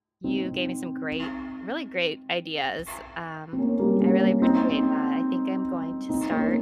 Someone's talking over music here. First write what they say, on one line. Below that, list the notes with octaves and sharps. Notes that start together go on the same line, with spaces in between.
you gave me some great really great ideas. Um, I really appreciate that. I think I'm going to start
C4 D#4
C4
A#3 C#4
G3 A#3
A#3 C#4
C4 D#4
C4 D#4
A#3 C#4